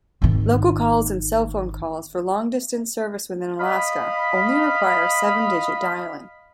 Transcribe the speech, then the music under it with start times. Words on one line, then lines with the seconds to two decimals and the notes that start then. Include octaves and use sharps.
Local calls and cellphone calls for long-distance service within Alaska, only require seven-digit dialing.
0.22 G#1 D#3
3.60 D#5 F5 B5